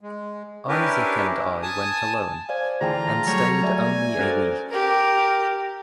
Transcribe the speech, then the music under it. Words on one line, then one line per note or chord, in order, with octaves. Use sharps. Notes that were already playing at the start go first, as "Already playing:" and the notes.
Isaac and I went alone, and stayed only a week.
G#3
C#4 D4 E4 G4 A#4 B4
G#5 A5 D#6
C5 D5 F5 G#5
D2 E3 F4 G#4 G5 A5 A#5
F#3 G3 A3 C#5
D5 E5 G#5
C#4 F#4 A4 A#4 C5 D5
G4 A#4